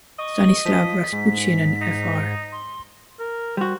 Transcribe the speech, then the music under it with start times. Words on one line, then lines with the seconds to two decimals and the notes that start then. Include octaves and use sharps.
Stanislav Rasputin and Fr.
0.19 D#5 C#6
0.65 F3 B6
1.12 G#2
1.81 D#4
2.52 C6
3.19 A#4
3.57 G3 F#4 C5